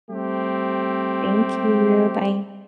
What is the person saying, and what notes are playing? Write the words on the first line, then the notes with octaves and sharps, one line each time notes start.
Thank you. Bye.
G3 A3 C4 G4